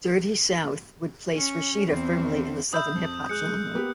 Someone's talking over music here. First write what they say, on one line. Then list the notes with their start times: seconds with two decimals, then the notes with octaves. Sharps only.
"Dirty South" would place Rasheeda firmly in the southern hip-hop genre.
1.36 C#4
1.89 E2 C4
2.73 E5 B5 D#6 E6 G6
2.95 F2
3.29 G#3 D#6 F#6 C#7
3.74 A#3 B3 G4